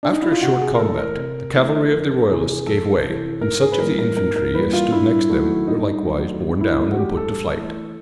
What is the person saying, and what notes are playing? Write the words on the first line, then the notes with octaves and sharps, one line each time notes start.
After a short combat, the cavalry of the royalists gave way; and such of the infantry as stood next them were likewise borne down and put to flight.
D4
D#4
E4
F4
C3 F#4
G#4
A#4
E3 A3 A4
A#4
C3
E3 A3
F2 A#4
A4
C3 E3 G#4
G#4
F2 A4
C3 E3
G#2 A#4
G#4
B4
E3 G3 A#3 A#4
A#4
G#2 A#4
A#4
E3 G3 A#3 B4
F4
G2 E4
D#3 F#3 A3
G2 D#4
D#3 F#3 A3
G2
E4
E3 A3
F#4
G4
G2 A4
E3 A3